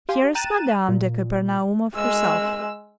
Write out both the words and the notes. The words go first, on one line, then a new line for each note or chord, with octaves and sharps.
Here is Madame de Kapernaumov herself.
G4 F5 G#5 C6
G5 A#5 F#6 A6 D#7 E7
A#2
G#3 E6